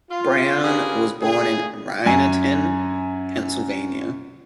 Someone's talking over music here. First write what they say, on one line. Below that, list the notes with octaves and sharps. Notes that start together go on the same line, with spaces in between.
Brown was born in Reinerton, Pennsylvania.
F4
C#4 F4 G4 G#4 A#4 B4
C#3 A3 G#4
F#2 G#5